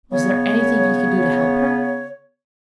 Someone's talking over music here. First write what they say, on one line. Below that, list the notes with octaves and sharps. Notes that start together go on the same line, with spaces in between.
Was there anything he could do to help her?
C#3 B3 C#5